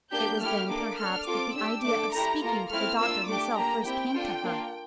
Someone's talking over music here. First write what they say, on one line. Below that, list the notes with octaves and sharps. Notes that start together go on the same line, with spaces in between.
It was then, perhaps, that the idea of speaking to the doctor himself first came to her.
A#3 D4 G4 G6
A3 E4 G4 F6
A#3 D4 A4 D6
D4 A4 F6
C4 F4 A4 D6
D4 G4 E6
A3 D4 A4 D6
A3 E4 G4 A#5
A#3 F4 A4 A#5
A3 C4 E4 F6
A#3 D4 F4 E6
A3 D4 G4 D6
A#3 D4 G4 A#5
C4 E4 G4 G5
D4 F4 A4
A#3 D4 F4